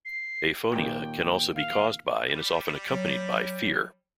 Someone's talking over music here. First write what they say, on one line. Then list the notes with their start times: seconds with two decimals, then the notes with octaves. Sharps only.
Aphonia can also be caused by and is often accompanied by fear.
0.05 C7
0.72 D#2 A#2 G5
1.55 F5
2.26 G3
2.89 F#3